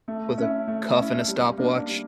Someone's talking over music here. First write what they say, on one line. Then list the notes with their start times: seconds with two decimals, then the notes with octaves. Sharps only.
With a cuff and a stopwatch.
0.08 A3
0.38 C#4 E4
0.68 A3
0.98 C#4 E4
1.28 G3
1.58 A#3 D4
1.88 G3